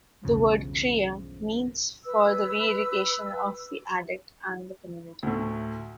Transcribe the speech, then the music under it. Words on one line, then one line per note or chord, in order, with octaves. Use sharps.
The word "Crea" means for the re-education of the addict and the community.
B1 E2 G2 C#3 F3
B4 E6
D2 A2